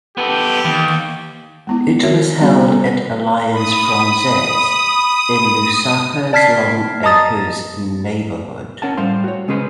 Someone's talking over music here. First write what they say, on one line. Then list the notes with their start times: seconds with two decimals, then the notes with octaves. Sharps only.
It was held at Alliance Francaise in Lusaka's Longacres neighborhood.
0.18 B3 G4 A4 B4
0.65 D#2 E3
1.67 G#3 B3 E4
2.03 D#3 C4 F#4 A#4 C#5 E5
2.40 G3 B3 C#4 D#4 F#4
2.69 B3 A4
3.53 B5 D#6
6.33 D5 A5 F6 G#6 B6 C7
7.03 D#5 A5 A#5 D#6 A6
8.82 C#4 A#4 F#5 A5
8.97 A2 G3 C5 F5 C6
9.24 F#4 C#5
9.48 C#3 G#3 C#4 G#4 B4 C5